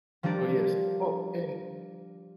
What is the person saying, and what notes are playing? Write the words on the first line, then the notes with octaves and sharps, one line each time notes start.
Oh, yes. Oh, and,
F3 G3 D4 A#4 D5